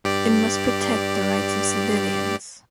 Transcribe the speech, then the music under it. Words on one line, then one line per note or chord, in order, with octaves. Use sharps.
It must protect the rights of civilians.
G2 G4 D5